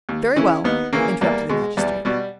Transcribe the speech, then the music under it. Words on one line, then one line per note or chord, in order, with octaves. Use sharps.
"Very well!" interrupted the magistrate.
D#2
C#3 E3 C#4 E4
D#2 B3 D#4
C#3 E3 A#3 C#4
E2 G3 A#3
B2 G#3
E2 G3
B2 G3